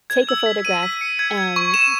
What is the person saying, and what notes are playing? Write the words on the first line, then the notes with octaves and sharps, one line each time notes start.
take a photograph and m
G#6
E6
B6
D#7
B6
C#7
G#6
G#6
C#6
E7